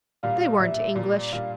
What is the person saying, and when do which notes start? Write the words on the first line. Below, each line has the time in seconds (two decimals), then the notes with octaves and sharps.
"They weren't English."
0.23 A#2 G3 D4 F5
0.59 A#2 G3 D4 E5
0.95 A#2 G3 D4 D5
1.33 A#2 G3 D4 F5